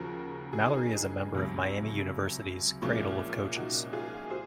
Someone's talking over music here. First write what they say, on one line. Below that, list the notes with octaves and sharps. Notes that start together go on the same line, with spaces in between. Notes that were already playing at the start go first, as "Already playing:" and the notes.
Mallory is a member of Miami University's Cradle of Coaches.
Already playing: D#2 C#3 F3 F#4 A#4
G#4
D#4 F#4
C#2 C3 F#3
C2 A#2 F3 G#3 C#4 F4
D#4 F#4
F4 G#4
G#4 C5